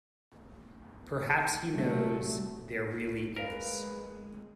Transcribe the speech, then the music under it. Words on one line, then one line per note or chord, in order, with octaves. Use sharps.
Perhaps he knows there really is.
C3 F#3 G3 A3
G#3 A#4 B4 D5 F5 G#5